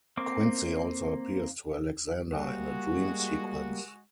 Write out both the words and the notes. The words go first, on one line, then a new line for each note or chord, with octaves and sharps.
Quincey also appears to Alexander in a dream sequence.
A#3 C4 D6
G3 G#3 A#3 F#4